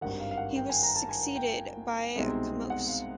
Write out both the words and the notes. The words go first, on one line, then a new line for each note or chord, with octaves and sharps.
He was succeeded by Kamose.
G#1 G2 D#3 F#5
F5
F5
F#5
G5
G#5
A#5
A5
G#5
G5
C2 B2 G#3 C4 D#4
F#5
F5